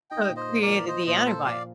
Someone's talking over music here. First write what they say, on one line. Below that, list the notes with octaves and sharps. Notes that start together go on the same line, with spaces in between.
So, it created the antibio
D#4 D#5 G5
A#2
C5 D#5
A#3
A#4 D5
F3
F4 C5 D#5
A#2 C5 D#5
A#3 A4 C5
F3 D5 F5